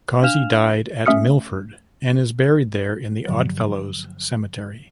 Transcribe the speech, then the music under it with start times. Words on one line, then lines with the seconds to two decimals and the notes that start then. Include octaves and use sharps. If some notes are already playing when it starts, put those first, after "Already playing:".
Causey died at Milford and is buried there in the Odd Fellows Cemetery.
0.23 D4 F5 F6 E7 F7
1.06 A3 C#4 E5 D#6 F6 C#7
3.26 G2 D3 F3 F#3